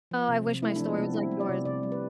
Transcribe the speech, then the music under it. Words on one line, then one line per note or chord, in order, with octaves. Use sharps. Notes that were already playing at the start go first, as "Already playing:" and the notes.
I wish my story was like yours.
F3
C3
C3
A3 E4
F3 D4
B3
C3 C4
G3 E4
G3
D5
C3
C3 D5
G3
B4